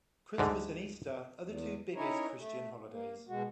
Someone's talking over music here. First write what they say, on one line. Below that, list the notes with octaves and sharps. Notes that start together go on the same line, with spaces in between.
Christmas and Easter are the two biggest Christian holidays.
D2 G#2 D3
E2
C#4 D#4 E4 A#4 C#5
A3
A#3
B2 G#3 F#4